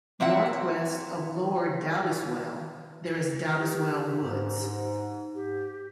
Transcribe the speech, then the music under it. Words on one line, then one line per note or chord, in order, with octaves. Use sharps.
Northwest of Lower Dowdeswell, there is Dowdeswell Woods.
A#3 C4 E5 F#5
G4
G#2
G4